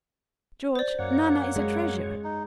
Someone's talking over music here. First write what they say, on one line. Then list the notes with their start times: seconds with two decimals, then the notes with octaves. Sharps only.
"George, Nana is a treasure."
0.75 C5 D5
0.99 F#2 A#3 C#5 F#5
1.56 G#3
2.24 D#4